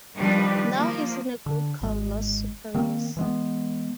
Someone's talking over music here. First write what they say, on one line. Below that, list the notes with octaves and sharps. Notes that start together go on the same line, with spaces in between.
Now he's in a group called Los Super Reyes.
D#3 F3 G3 D4 G4 B4
F3 A#3
D3
G#1 G#3
D#3 A#3 C4
E3 G#3 B3